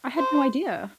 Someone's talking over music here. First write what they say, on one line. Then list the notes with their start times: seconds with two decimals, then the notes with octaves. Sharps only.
I had no idea.
0.18 C5